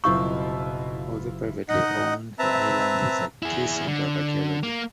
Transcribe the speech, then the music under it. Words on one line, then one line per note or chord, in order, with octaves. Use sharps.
Although privately owned, the island is a key center of archaeology.
F#1 B2 C4 E4 F4 C#6 E6 G6
D#4 D#5 F#5
C4 B4 E5 A5 A#5
E4 G#4
D3
A#3